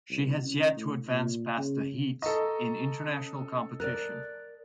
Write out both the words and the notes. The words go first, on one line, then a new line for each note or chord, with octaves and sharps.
She has yet to advance past the heats in international competition.
C2
C#4
A2
A#2
C#3
A4 D#5 A#5 C#6
C#4
A#4 D5 F#6 A6